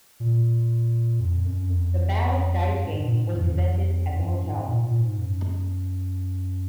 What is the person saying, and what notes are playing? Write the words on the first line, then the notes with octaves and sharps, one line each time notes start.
The balut dice game was invented at the hotel.
A#2
F2
F#2
F2
F#2
G#2
A#2
G#2
F2
F2
F2
F#2
G#2
A#2
A#2
G#2
F#2